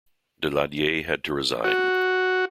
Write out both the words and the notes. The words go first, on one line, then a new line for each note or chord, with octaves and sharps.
Daladier had to resign.
F#4